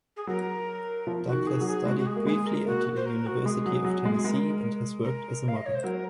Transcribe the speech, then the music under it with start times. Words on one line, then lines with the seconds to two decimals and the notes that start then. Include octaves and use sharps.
Douglas studied briefly at the University of Tennessee and has worked as a model.
0.16 G#4
0.27 F#3 A#4
1.07 F3
1.27 F#4
1.33 D#3
1.46 G#4
1.61 F#3
1.67 G#4
1.86 G#3 F#4
1.98 F#4
2.06 G#4
2.16 A#3
2.26 G#3 G#4
2.46 A#4
2.66 A#3 F#4
2.96 C5
3.05 A#4
3.26 F#4
3.45 G#3 G#4
3.66 F#3
3.84 F#3
4.05 G#3
4.13 G#4
4.25 G#3 A#4
5.04 A#4
5.48 F5
5.56 D#5
5.65 C#5
5.75 C5
5.83 F#3 A#4